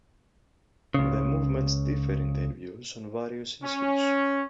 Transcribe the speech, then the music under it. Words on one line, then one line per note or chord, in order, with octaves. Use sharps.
The movements differ in their views on various issues.
C#2 C#3
C#4